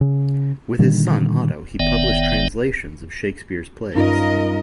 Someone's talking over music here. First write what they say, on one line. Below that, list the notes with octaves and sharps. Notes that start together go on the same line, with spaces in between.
With his son, Otto, he published translations of Shakespeare's plays.
C#3
A#2 D3 D#3 G3
F#1 D#3 B3 D5 E5 G5
G2 C#4 D#4 F4 A#4 D#5